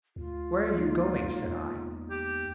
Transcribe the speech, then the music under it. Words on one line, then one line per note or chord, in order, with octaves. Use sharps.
"Where are you going?" said I.
D2 F4
G#3 A#3 D#4
E2
G4